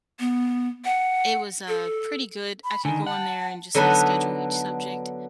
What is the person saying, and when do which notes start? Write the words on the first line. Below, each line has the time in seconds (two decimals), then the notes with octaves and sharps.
it was, uh, pretty good. I could go on there and just like schedule each subject,
0.20 B3
0.85 F#5
1.68 A4
2.64 B5
2.85 D3 D#3 G#5
3.06 F#5 A5
3.75 D3 F#3 B3 D4 D#4 B5